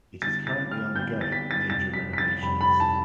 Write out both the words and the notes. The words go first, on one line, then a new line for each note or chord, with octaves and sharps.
It is currently undergoing major renovations.
D3 G3 B3 E4 G4 A6
A6
F6
D3 G3 B3 E4 G4 G6
A6
B6
A6
F2 C3 G3 C4 A6
B6
B6
A6
F2 C3 G3 C4 B5
B5
A5